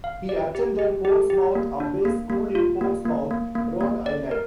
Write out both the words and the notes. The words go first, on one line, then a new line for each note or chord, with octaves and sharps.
He attended Portsmouth Abbey School in Portsmouth, Rhode Island.
F5
D5
G4
G4
G4
G4
A#3
D4
A#3
A#3
F4
A#3
A#3
A#3
A#3
A#3
D5
A#4